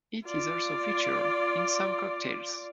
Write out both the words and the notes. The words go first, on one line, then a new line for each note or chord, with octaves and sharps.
It is also featured in some cocktails.
F4 D5